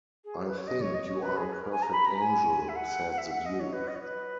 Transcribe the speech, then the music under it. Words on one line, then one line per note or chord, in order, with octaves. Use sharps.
"I think you are a perfect angel," said the Duke.
G#4
B4
C#5
D#5
C#5
D#5
C#5
B4
G#4
B4
A#4
G#5
A#5
B5
A#5
G#5
E5
F#5
F#5
E5
F#5
D#5
C#5
B4
D#5
C#5
B4